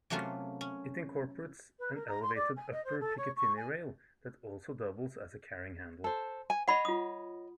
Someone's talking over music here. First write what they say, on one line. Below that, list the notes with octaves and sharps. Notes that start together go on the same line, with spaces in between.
It incorporates an elevated upper Picatinny rail that also doubles as a carrying handle.
C3 F#3 A3 A#3 C#4 F4
C#4
B4
A#4
A#5
C6
D5
G#5
D#5
C5
A4
C#5
C#6
G#5
A4 C5
G#5
C#5 D#5 F#5 B5
F4 D#6